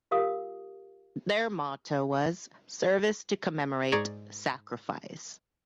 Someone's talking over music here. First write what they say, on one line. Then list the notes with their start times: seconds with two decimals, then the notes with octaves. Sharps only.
Their motto was "Service to Commemorate Sacrifice".
0.11 F4 G4 A#4 F5 D#6
3.92 G#2 G#4 D5 A#5 C#6 G#6